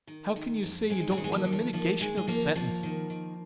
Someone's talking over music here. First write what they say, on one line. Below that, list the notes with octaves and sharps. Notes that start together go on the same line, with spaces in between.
How can you say you don't want a mitigation of sentence?
D#3
D#3
F2
F2 G#3 C4
D#4
G#3 C4
D#3
G#3
F3 A#3
D#3
F3
D#3 F3 A#3
D#3 G#3
G#3
D#2 F3 A#3
D#2 F3 A#3
D#3
D#3